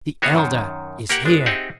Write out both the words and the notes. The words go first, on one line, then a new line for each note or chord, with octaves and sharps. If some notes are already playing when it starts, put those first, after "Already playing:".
"The elder is here."
D#3 A#3 B3 F#4 G#4 C#5
F#2 D#3
A#3 G4 A#4 F#5
G1 G#3 D4
C4 D#4 G4 G#4 E5 F#5